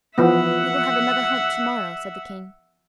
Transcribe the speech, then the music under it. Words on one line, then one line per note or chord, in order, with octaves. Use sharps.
"We will have another hunt to-morrow," said the king.
E3 F3 B3 E5 F#5